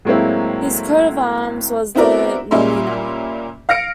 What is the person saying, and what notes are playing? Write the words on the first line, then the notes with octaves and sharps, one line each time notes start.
His coat of arms was the Nowina.
A2 F#3 G#3 A#3 C4 E4
B3 C4 E4 F#4 A#4 D5
A#2 G3 A#3 C#4 E5 C6
F5 F6 A#6 C#7 D7